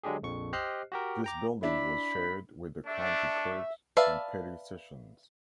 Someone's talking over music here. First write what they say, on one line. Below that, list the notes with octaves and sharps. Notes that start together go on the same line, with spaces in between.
This building was shared with the county court and petty sessions.
D3 F#3 G#3 D4 G4 G#4
A#1 F2 C#6
G4 C5 D#5 F6 F#6 C7
F#4 G4 A#4
G5 A#5 D6
D4 E4 B5
A3 D4 E5
B4 D5 E5 F5 A5